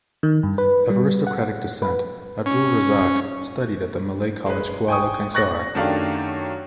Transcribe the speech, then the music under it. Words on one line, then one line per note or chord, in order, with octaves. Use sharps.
Of aristocratic descent, Abdul Razak studied at the Malay College Kuala Kangsar.
D#3
G2
B4
G3
F#5
B4
C#4
G#3 B4
G5 G#5 C#6 D#6
C#6 F#6 A6 A#6 F#7
F#2 D#3 A3 D4 G4 F5